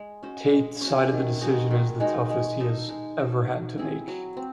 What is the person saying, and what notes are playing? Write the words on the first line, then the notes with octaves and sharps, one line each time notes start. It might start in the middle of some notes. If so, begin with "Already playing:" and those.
Tate cited the decision as the "toughest he has ever had to make".
Already playing: G#3
C#4 F#4 C5
G#3
C#4 F#4 C5
D#3
G#3 D#4 F#4
D#3
G#3 D#4 F#4
G#3
D#4 A4 C5
G#3
D#4 A4 C5
F#3
C4 E4 G#4
F#3
C4